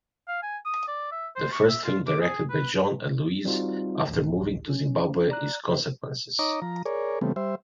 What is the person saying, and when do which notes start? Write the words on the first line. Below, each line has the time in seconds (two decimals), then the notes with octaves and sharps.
The first film directed by John and Louise after moving to Zimbabwe is "Consequences".
0.28 F5
0.43 G#5
0.65 D#6
0.88 D5
1.12 E5
1.36 C5
1.52 C#6
1.69 E5
1.84 F4
2.07 D6
2.21 G#4
2.50 B4
3.45 G3 C4 D#4 F4 F#4
4.08 A1 D2
4.69 C#4
5.30 D5 A#5 F#6
6.39 D#4 C#5 D#5 A#5 D6
6.62 F3 A#5
6.86 G#4 A#4 C#5 D5
7.21 C#3 E3 G3 A3 B3 C4
7.36 G3 C5 E5